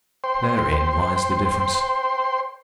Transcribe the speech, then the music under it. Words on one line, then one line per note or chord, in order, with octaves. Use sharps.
Therein lies the difference.
C5 G5 C6